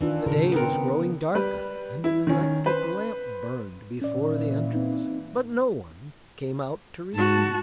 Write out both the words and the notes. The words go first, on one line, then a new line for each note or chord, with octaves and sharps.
The day was growing darker, and an electric lamp burned before the entrance. But no one came out to receive them.
D#3 E3 D4 F4
A2 C#3 A#4
B3 C4 A#4
G3 B4
E4
D#3 C#4
B4 C5
A#2 E3 C#4 D5
C4 D#4
G#2 F#4 A5